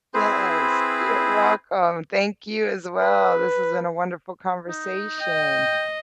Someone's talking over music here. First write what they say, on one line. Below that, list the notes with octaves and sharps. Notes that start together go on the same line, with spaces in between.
Yes, you're welcome. Thank you as well. This has been a wonderful conversation
C4 E4 G#4 B4 C5
B4
D#4
D#5 G5